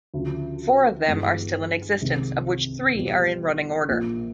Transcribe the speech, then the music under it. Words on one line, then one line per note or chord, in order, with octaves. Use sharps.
Four of them are still in existence of which three are in running order.
D2 C#3 F3
G2 E3 G#3 B3
C2 C3 D#3 G#3
E2 B2 G3
A#1 A#2 F3 A#3